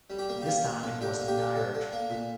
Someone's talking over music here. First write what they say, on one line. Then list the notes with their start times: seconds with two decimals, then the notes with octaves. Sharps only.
This time it was Niort.
0.10 G3
0.19 G4
0.29 A#3
0.41 G4
0.46 A#3 F4
0.64 A#3
0.83 D3
1.01 D3 G4
1.20 A#3
1.28 G4
1.37 D3
1.55 D3
1.74 D3
1.92 A#3
2.10 A#2